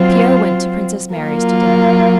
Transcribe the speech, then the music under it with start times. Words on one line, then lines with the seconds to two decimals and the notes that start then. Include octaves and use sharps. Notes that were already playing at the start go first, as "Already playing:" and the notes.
Pierre went to Princess Mary's to dinner.
Already playing: F#3 C4 F4
1.16 F#3 A#3 F4 A#4